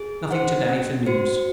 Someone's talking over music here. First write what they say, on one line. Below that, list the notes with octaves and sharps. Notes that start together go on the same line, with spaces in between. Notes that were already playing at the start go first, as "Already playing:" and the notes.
Nothing to day for news.
Already playing: G#4
C5 F#5
C#4
F#4 C5